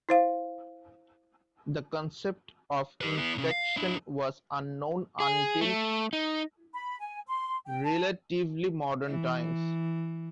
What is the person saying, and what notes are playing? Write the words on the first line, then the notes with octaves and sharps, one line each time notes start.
The concept of infection was unknown until relatively modern times.
E4 C5 F5
G4 B4
B3 E4
C3 C#4
F5
D4 E4
G#4
A3
D#4
B5
G#5
C6
G5
A5
E3